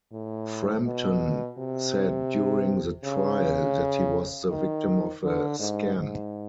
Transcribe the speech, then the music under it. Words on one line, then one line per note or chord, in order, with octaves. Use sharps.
Frampton said during the trial that he was the victim of a scam.
A2
B2
C3
C#3
D#3
D3
G#2
G#2